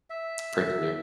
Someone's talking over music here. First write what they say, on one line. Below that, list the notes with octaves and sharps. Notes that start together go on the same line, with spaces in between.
Pray clear
E5